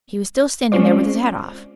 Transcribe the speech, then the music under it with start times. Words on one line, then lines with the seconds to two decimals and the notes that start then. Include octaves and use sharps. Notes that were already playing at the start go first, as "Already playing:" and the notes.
He was still standing there with his hat off.
0.72 G#3 C4 C#4 F4 C5 D5